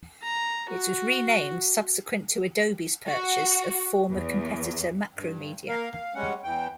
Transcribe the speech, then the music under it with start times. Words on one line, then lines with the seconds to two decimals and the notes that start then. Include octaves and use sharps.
It was renamed subsequent to Adobe's purchase of former competitor Macromedia.
0.23 A#5
0.70 F#4
3.07 F#4
4.11 E2
5.15 G2
5.68 A#3 A#4 F5
5.93 F5
6.15 G3 G#3 C#4 F#5
6.44 E2 E3 G5